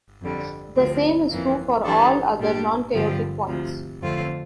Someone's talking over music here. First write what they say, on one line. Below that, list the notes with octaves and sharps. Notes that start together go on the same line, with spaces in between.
The same is true for all other non-chaotic points.
F2 D3 G3
D2 C3 F3 C4
F2 E3 A#3
E3 G3 D4 A4
A#2 G3 D4 G4
G2 D3 F3 C4 G4
D2 C3 F3
F2 D3 A3 C4 F4